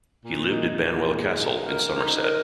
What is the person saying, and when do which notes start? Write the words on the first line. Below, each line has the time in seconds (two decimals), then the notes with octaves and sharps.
He lived at Banwell Castle in Somerset.
0.24 A#2
0.52 D#4
0.80 A#2
1.09 G#3
1.38 D#4
1.67 A#4
1.95 D#4
2.23 A#4